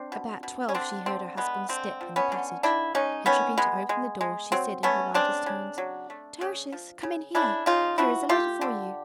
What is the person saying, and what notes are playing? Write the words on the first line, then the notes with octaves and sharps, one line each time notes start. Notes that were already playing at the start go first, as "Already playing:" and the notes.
About twelve she heard her husband's step in the passage, and tripping to open the door, she said in her lightest tones, "Tertius, come in here--here is a letter for you."
Already playing: C4 D4
B2
B2
C#4
D3 C4 D4
D3 C4
G#3 B3
D3 C4
F3
B3 C#4
D3
D#3 D4 E4
G#3 C#4 D#4
D#3 B3 C#4
G#3 B3
G#3
G#3
F#3 C4
A3 B3 C#4
C#3 C4 D4
C#3
F#3
A3
C#3
F3
C#3
C#3 D4 E4
C#3 D#4 F4
F3 E4 F#4
A3 F4 G4
D3